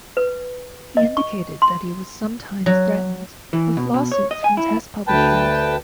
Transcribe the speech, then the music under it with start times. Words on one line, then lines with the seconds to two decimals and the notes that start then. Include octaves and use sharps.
He indicated that he was sometimes threatened with lawsuits from test publishers.
0.17 B4
0.97 D#5
1.17 C#6
1.62 C6
2.66 F#3
3.53 E3
3.77 B2
3.94 B2
4.12 C#5
4.31 D#5
4.44 G#5
4.57 E4
5.07 D2 B4 G5 A5